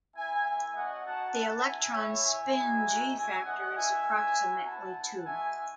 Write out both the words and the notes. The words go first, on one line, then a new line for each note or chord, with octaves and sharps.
The electron spin g-factor is approximately two.
B3 E4 E5 G#5
A3 E4 E5 G#5
A3 C#4 F#4 D#5 F#5
A3 D#4 F#4 F#5 A5
A3 C#4 E4 F#5 A5
B3 E4 E5 G#5
A3 E4 C#5 E5
A3 E4 E5 G#5
G#3 B3 D#4 F#4
A3 D#4 F#4
G#3 C#4 F#4 E5 G#5
A3 D#4 F#4 D#5 F#5
A3 D#4 F#4 E5 G#5
G#3 C#4 E4
B3 F#4
B3 E4 F#5 A5
B3 E4
G#3 D#4 F#4 E5 G#5